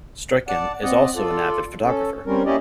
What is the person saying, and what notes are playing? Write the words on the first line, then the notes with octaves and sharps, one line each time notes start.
Struycken is also an avid photographer.
D5 F#5 A5
C4 D5 D#5 F#5
F4 A4 D5
C#4 A4
G3 C4 C#4 A#4
A#3 C#4 E4 G4 D5 D#5